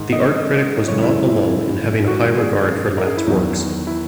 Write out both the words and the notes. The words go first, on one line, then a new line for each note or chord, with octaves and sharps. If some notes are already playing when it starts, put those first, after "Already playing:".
The art critic was not alone in having a high regard for Lat's works.
Already playing: G#2 D#3 G#3
D#5
F#2 C#3 G#3 C#5
E4
E4
G#2 D#3 G#3 F#4
F#4
G#4
A#4
G#4
E4
E2 D#3 F#3 D#4
E4